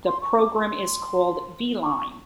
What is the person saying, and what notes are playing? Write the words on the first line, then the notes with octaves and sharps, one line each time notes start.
The program is called "Veline".
C6
C#6
D6
C6
C#6